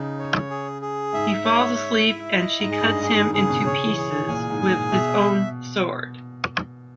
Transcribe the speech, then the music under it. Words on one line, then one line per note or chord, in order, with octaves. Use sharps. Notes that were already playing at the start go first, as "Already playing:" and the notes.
He falls asleep and she cuts him into pieces with his own sword.
Already playing: C#3 D#4
C#5
G#4
G#4
G#2 E5
C#5
E5
E4
D#5
G#2
G#4
G2
G#2 G#4
D#3
C#3 G#4
B2
C#3 C#5
E3
G#4
A#2 G#5
G#2
G#4
A#2
B2 E5